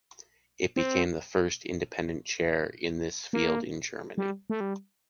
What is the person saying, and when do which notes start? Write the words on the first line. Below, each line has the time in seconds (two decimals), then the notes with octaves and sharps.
It became the first independent chair in this field in Germany.
0.76 C4
3.33 A#3
4.18 G3
4.50 A3
4.60 G3